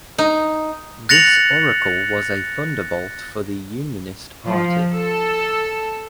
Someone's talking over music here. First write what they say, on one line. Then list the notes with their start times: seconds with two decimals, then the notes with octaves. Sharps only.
This oracle was a thunderbolt for the unionist party.
0.18 D#4
1.09 F#6 A6 A#6 C#7 F7 F#7
4.46 F3
4.93 A4